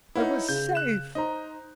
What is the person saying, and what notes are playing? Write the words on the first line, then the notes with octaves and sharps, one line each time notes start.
I was safe.
D#4 E4 B4 C#5 F#5
C#3 G6
F#6 E7
D#4 C5 D#5 A#5